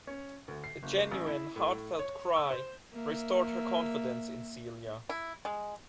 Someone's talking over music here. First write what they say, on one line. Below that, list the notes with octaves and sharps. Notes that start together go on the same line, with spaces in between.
The genuine, heartfelt cry restored her confidence in Celia.
C#4
D2
C7
F#1
A1
E4
A2
C#5
E6
C5
A#3 E5
E4
G#3